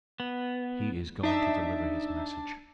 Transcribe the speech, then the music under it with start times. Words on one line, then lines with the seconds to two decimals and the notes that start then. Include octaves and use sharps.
He is going to deliver his message.
0.20 B3
1.23 D4 D#4 E5